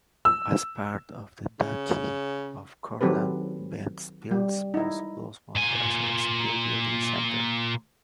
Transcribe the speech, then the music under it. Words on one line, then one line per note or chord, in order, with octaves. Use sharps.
As part of the Duchy of Courland, Ventspils blossomed as a shipbuilding centre.
E6
C#3
D#3 F#3 C4 G4 A4 B4
G3
D#4 E4
A#2 G#5